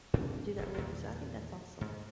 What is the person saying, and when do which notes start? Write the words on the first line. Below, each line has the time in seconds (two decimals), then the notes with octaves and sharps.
do that with you. So I think that's awesome.
0.14 G#2 C4 D4
0.58 F1 B1
0.78 E2 A#2 D#3 G3
1.81 G#2